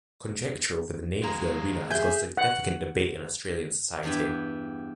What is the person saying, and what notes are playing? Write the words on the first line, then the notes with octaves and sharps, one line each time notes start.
Conjecture over the name of the arena has caused significant debate in Australian society.
G#3 A#3 A#5
G#4 E5 G#5 G6
F#5
E2 G2 E3 B3 G4